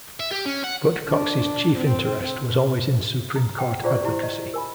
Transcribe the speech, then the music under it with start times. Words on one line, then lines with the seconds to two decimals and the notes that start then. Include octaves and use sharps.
But Cox's chief interest was always in Supreme Court advocacy.
0.20 E5
0.31 G4
0.45 C#4
0.64 F#5
1.08 D4
1.77 C4
2.43 B2
3.36 A#5
3.59 F#5 G5
3.84 F4 G#4 C5 D5 A#5 C#6
4.02 E4 G4
4.23 D#5
4.54 A#4 G#5 B5